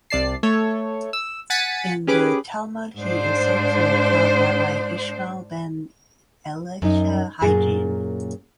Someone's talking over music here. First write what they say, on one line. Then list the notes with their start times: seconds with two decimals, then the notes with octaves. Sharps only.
In the Talmud he is said to have taught Rabbi Ishmael ben Elisha hygiene.
0.10 C2 C3 D5 A5 C7
0.43 A3 A4 C#5
1.13 E6
1.50 F#5 G#5 A6 B6 C#7 D#7
2.07 C#4 G4 G#4 B4 D6
2.99 G#2 D4 C5
6.82 F#2 D#4
7.42 F#2 A#2 G#4